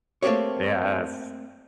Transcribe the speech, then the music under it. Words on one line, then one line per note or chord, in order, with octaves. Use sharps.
Yeah, it's
A3 A#3 C4 G4 C#5